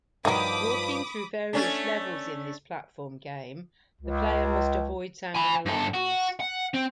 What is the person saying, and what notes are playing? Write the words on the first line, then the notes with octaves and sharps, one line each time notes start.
Walking through various levels in this platform game, the player must avoid sounding alarms.
G2 D#3 F3 F#3 B5 D6 D#6
A3 C#4 D4
C#2
G#5 B5
G2 A4
F#4
F#5
C4